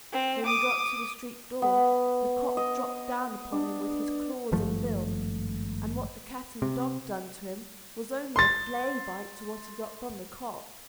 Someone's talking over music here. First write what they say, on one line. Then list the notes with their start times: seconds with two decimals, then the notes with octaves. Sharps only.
When he got to the street door, the cock dropped down upon him with his claws and bill, and what the cat and dog done to him was only a flay-bite to what he got from the cock.
0.12 C4
0.46 D6 D#6
1.62 B3
2.57 D#5
3.52 D4
4.52 G#1 G2 F3 A3
6.62 C3
8.36 C6 A6